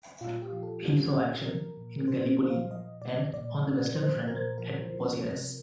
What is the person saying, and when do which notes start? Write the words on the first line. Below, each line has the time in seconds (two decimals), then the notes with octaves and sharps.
He saw action in Gallipoli and on the Western Front at Pozieres.
0.21 A#2 F4
0.42 G4
0.53 F3
0.63 A4
0.84 F3
1.14 A#2
1.46 F3 A#4
1.77 A#2
2.08 A#2 C5
2.39 A#2
2.50 F5
2.71 F3 D#5
3.02 A#2 D5
3.33 A#2 D5
3.64 A#2
3.96 F3 C5
4.27 A#2 A#4
4.58 F3 A#4
4.90 F3
5.20 C3